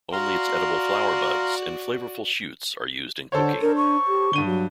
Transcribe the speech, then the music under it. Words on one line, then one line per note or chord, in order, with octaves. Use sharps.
Only its edible flower buds and flavorful shoots are used in cooking.
F#4 D5 F5 A#5 C6
D3 A4 C5 C#5
D4 A#4
C#6
G4
G2 D3 D#7 G7
F#3